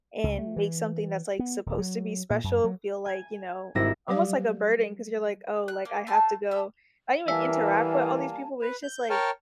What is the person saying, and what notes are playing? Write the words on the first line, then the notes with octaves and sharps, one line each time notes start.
and make something that's, like, supposed to be special feel like, you know, almost like a burden 'cause you're like, "Oh, like, I have to go." I don't even interact with all these people, but it's just, like,
C#2
A3
E3
B3
D#1
F#3
A#2
F#2
F#3
G#5 G#6
G#1 G3 C4 E4 A#6 E7
F#3 G3 G4 D5 F5
F#6
A#3
A3 F#5 A5 C6
A4 E5
E3 G3 A#3 E5 G#5 A5
B4
G6
A#4 C#5 G5 A5 F6